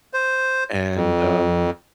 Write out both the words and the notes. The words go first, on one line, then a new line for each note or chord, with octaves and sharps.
and, um,
C5
F2